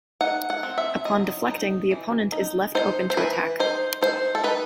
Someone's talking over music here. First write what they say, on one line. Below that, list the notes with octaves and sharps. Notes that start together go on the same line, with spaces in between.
Upon deflecting, the opponent is left open to attack.
D#4 F#5
F#5
C4
E5
F#3 D#5
D#4
E3
D#4
D#4 C5
C5
E3 B4
D#4 C5
D#4 C5
A4
D#4 B4